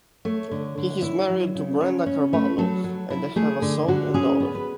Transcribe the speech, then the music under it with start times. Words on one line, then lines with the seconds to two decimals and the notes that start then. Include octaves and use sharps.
He is married to Brenda Carballo and they have a son and daughter.
0.25 A3 C#5
0.51 D3
0.77 D3
1.03 E4
1.30 F#3
1.55 C#3
1.80 C#3 C#5
2.06 C#4
2.33 A3 B4
2.58 F#3 A4
2.84 F#3
3.10 E4
3.36 A3 G#4
3.62 D3
3.88 D3 F#4
4.14 C#4 G#4
4.40 B3 B4
4.55 B4